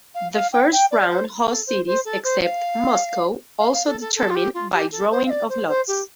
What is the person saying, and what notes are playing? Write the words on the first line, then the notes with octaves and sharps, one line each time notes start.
The first round host cities except Moscow also determined by drawing of lots.
F5
F5
G5
G5
D5
C5
A4
C5
C5
A4
C5
F5
F5
F5
A4
A4
A4
F4
G4
F4
G4
A4
C5
F5
D5
C5
C5
G4